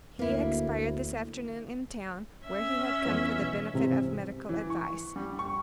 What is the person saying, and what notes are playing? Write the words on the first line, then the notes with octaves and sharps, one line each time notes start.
He expired this afternoon in town, where he had come for the benefit of medical advice.
D2 A#3 E4
C#4 E5
F2 E3 B3
B2
G#2 C3 E3
E3
C#6
G3
C#6